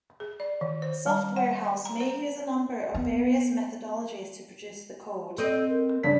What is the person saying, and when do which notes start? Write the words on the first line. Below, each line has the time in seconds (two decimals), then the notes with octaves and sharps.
Software house may use a number of various methodologies to produce the code.
0.20 G#4
0.40 D5
0.61 D#3
0.82 C5
1.06 G3
1.36 F#5
1.85 A#5
2.01 C5
2.95 B3
5.38 C4 A4 D#5
5.69 A#4
6.03 G2 C#3 D5 B6